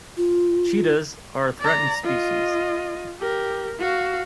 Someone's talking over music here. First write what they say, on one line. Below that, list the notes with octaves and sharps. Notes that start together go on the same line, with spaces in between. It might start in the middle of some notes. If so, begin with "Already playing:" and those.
Cheetahs are a threatened species.
F4
D5 A#5
F4 D#5
G4 A#4
F#4 F5